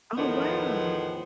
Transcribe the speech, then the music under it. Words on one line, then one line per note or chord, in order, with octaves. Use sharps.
Oh, wow.
E2 A2 D#3 F3 B3